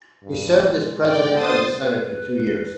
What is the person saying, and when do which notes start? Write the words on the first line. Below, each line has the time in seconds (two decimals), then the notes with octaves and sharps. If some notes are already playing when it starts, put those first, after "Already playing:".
He served as President of the Senate for two years.
0.23 G2
0.62 G#3
1.02 G#2 D5 G5
1.32 D3 C5 D#6 A6
1.81 B4